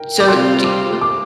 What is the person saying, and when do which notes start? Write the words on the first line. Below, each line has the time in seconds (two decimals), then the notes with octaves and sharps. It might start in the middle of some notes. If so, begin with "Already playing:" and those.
So do you
Already playing: A#4 G5
0.20 D6
0.28 C3 G3 C4 F4 C6
0.64 D6
1.01 D6